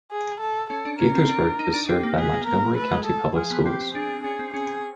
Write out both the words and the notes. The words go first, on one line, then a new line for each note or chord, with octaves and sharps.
Gaithersburg is served by Montgomery County Public Schools.
G#4
A4
C#4 A4
D4
C#4 A#4
C4
D4
D#4
D4
C4 G4
A#3
B3 G#4
A#3
A#3 A#4
A3 B4
G#3
A4
F3 G#4
B3
C4 G4
C4
D4 G#4
C#4 G#4
C4
C#4 G#4